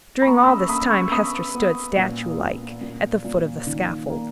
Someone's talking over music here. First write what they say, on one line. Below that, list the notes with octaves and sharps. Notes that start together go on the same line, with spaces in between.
During all this time, Hester stood, statue-like, at the foot of the scaffold.
B5
A#3 A#5 C#6
E6
B5 D#6
A#3 B5 D#6
C#6 E6
B3 B5 D#6
B3
A#2
A#2
A#2
A#2
D#3
A#3